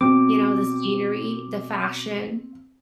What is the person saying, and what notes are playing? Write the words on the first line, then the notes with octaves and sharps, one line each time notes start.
you know, the scenery, the fashion.
B2 C4 D6